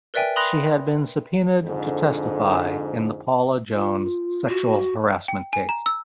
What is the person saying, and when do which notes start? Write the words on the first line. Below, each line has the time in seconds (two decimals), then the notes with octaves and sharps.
She had been subpoenaed to testify in the Paula Jones sexual harassment case.
0.14 A#4 B4 D5 E5 G5 G#5
0.36 B5 C6 D#6 F#6 A#6 F7
1.63 F2 G#2 D3
3.72 F4
4.49 F#4
5.28 G5
5.53 G#5
5.69 A#5
5.86 E6